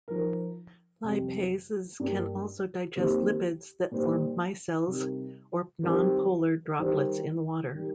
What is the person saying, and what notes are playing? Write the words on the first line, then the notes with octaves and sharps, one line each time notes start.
Lipases can also digest lipids that form micelles or nonpolar droplets in water.
F3 D#4 A#4
F2 C3 G3
G2 G3 A#3 G4
D#2 D#3 C4 G4
A#2 G3 D#4 C5
C3 G3 D#4 A#4
D#3 G3 C4 G4 A#4
D#3 G3 D#4 C5
D#3 G3 D#4